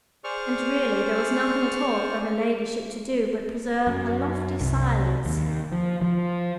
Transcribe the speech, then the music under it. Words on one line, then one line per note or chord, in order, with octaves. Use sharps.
And really there was nothing at all for her ladyship to do but preserve a lofty silence.
G#4 C5 D5 C#6 F6
F#2
C2
D#2
F3
F3